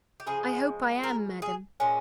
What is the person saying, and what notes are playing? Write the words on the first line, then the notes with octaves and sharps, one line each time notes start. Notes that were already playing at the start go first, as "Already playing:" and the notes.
"I hope I am, madam."
G4
C#3 F3 G#3 G#4
A#4
G#4
A#2 G#3 C#4